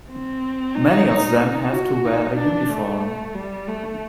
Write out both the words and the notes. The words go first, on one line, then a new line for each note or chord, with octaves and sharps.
Many of them have to wear a uniform.
C4
D#4
D#4
F#4
D#4
D4
A3
G3
A3